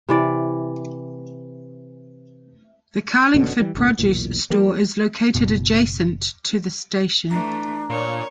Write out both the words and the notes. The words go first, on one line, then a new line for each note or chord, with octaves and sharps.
The Carlingford Produce Store is located adjacent to the station.
C3 E3 D5
F#1 B2 D3 C#4
E3 G3
G#1 C#2 A#2
B1 E2 A#2
F3 G3 A#3
F#1 B2
E3 A3 D4 A#5
A#2 C#5